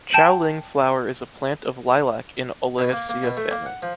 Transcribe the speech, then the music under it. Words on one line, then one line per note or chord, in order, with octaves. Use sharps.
Qiao Ling Flower is a plant of Lilac in Oleacea family.
G5 A5 G6 D#7 E7 F#7
B2
A#3
A#3
B2
A3
A#3
F#5
F3